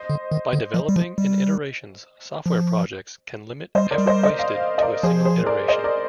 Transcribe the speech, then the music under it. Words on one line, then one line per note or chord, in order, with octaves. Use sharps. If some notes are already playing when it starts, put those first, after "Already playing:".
By developing in iterations, software projects can limit effort wasted to a single iteration.
Already playing: C5 D#5
D3
D#3
D3
F3
G3
F3
G3
F3
G3 C5 D#5
A#4 D5
G3
C5 D#5
C5 D#5
D5 F5
D#5
A#4 D5
F3 G#4 C5
G#4 C5
A#4 D5
C5 D#5
A#4 D5